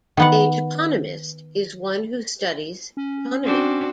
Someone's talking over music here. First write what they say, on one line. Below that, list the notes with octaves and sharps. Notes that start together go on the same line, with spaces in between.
A "toponymist" is one who studies toponymy.
D#3 B3 F#5
C#4
C4 D4 F#4